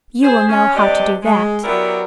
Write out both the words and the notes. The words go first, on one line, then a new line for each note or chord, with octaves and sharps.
You will know how to do that.
G#4 C5
C#4
G2 C3 D4 G4 D5 D#5
G#3
F#3 B3 E4 G4 A#4 D5